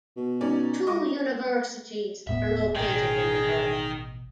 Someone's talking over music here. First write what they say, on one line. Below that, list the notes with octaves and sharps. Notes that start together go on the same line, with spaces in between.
Two universities are located in the borough.
B2
C#4 D#4 D5
D#5 C#6 D6
D#1 A2 B3 E5
A1 B2 D#3 D#4 G#4 G5